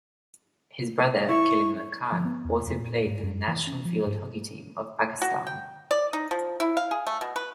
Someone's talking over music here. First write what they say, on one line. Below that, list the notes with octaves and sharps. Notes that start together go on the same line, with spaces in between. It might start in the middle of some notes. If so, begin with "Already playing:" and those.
His brother Kaleemullah Khan also played for the national field hockey team of Pakistan.
E4 C#6
F3
B3
E2
F2
A#2
G#2
F#2
E3
C#4
F3
G#2
F#4
G5
D5
D#4
F3
E4
F5
G#4
A3
B2
B4